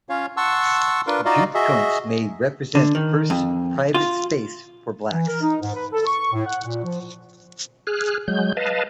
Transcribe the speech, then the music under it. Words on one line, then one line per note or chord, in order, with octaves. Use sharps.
Juke joints may represent the first "private space" for blacks.
C#4 F4 C#5 F5
F#5 A5 C6 C#6 E6
D4 F4 A#4 B4 C6
D#4 F4 F#4 D5 D#5 F5
F#4 G#4 D#5 E5
D3
D#3
F2
F4
E3
A#4
D#4
G#2
B4
A4
C#6
A2
F#5
A#2
F3
G#4 F6 F#6
F#3 G#3 G6
B4 D#5 F5 A5